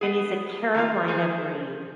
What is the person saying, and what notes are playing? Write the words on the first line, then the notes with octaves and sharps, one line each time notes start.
and he's a Carolina breed.
B3 G#4
D#3 C4 D#4 F4
F3 G#4 C5